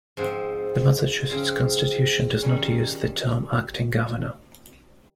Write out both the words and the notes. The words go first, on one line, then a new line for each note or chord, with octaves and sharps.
The Massachusetts Constitution does not use the term "acting governor".
G#2 F3 C4
C#3 F3 C4 F4
D#3 G3 C#4